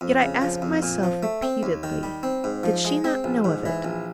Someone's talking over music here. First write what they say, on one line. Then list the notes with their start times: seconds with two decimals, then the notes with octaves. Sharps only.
Yet I asked myself repeatedly: Did she not know of it?
0.01 F2
0.22 C#3
0.42 F3
0.62 F2
0.83 A#2
1.03 F3
1.23 A3
1.42 C4
1.63 D#2
1.83 D#3
2.03 G3
2.23 C4
2.44 G#2
2.63 F3
2.85 G#3
3.04 C4
3.24 A#1
3.44 G#2
3.66 E3
3.85 A#1